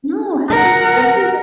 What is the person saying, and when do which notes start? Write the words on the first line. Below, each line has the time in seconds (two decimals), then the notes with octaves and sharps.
No, happens to everyone.
0.50 A#4 F#5